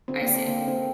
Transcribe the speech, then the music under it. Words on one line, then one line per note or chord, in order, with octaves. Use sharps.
I see.
D3 C4
A#3 D4
D3
C4
D3 A#3
D3 C4